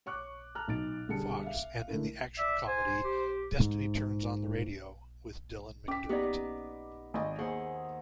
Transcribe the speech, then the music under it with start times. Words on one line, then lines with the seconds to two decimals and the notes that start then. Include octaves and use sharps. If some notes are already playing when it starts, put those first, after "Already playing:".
Fox, and in the action-comedy "Destiny Turns on the Radio" with Dylan McDermott.
0.06 C#5 C#6 D6 F#6
0.55 A5 A#5 F6 F#6
0.68 B1 D#4 A6 D7
1.08 E1 D3 G3 G#4 A5 C#7
1.44 E5 F5
1.88 D3 G#3 A3 E4 A#4
2.38 D5 E5
2.68 C5 G#5
3.04 G4
3.61 G#2
5.88 C#4 D6 B6
6.09 B3 D#4 G4 B4 D5
7.14 G#1 D#5 G#5
7.39 D#2 G#4 C5 F#5 G#5